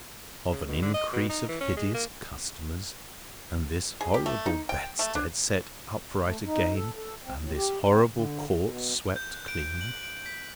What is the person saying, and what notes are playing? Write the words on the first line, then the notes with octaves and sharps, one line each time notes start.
Of an increase of hideous customers, and this horrible bedstead set upright again, and this horrible court swept clean?
C#3
B2
D3
D#5
B2
D#4
E3
C#4
G#3
A#3
G#4
G4
A3
D#4
G5
A3
D4
A3
D#4
A4
A4
C4
A2
G4
C4
D3
B2
G6
F#6
D7
F#7
D7
B6